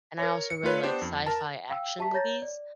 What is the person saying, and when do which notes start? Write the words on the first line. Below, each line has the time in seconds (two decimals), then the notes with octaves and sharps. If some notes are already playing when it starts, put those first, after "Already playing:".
and I also really like sci-fi action movies.
0.19 A#4 C#5
0.50 C#7
0.63 A3 F4 B4 C#5
0.83 B3 D4 G4 C5
1.02 F2
1.26 A#4 A5
1.70 F5 G5 E6
1.99 G4 E5 A5 A#5 C#6 B6
2.14 C#5 A#5 G6 A6 A#6
2.42 D5